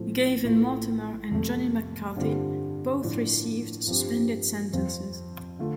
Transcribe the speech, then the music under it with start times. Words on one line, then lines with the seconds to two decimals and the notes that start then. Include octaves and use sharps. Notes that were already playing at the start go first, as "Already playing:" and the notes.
Gavin Mortimer and Johnny McCarthy both received suspended sentences.
Already playing: A2 F3 A3 C4
0.44 A2 A3 F4
1.31 F2 C3 A3
2.16 G2 D3 G3 C4 F4
3.02 A2 F3 D4
3.87 G2 F3 C4 G4
4.73 F2 F3 C4 F4
5.59 D3 A3 F4